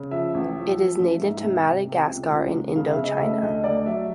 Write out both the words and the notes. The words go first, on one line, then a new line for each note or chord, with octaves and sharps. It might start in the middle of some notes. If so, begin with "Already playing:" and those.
It is native to Madagascar and Indochina.
Already playing: C#3
F3 E5
A1
F3
F3
A1
G#2
C3
C3
C3
C#2
C#2
C#2
C#3 F5
E5
C#3 D#5
A3 E5
D2 D#5
A3 D5
F#3 E5